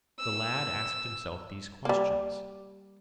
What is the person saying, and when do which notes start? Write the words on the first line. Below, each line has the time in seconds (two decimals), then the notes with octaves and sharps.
The lad asked himself these questions.
0.19 E6
1.85 G3 A#3